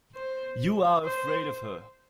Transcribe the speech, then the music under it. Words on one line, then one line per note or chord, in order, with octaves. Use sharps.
You are afraid of her!
C5
C5